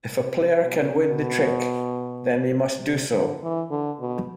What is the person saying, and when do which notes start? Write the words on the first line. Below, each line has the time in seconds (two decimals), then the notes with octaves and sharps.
If a player can win the trick then they must do so.
0.19 C3
0.63 B2
1.07 B2
2.83 C3
3.13 D3
3.42 E3
3.71 D3
4.00 B2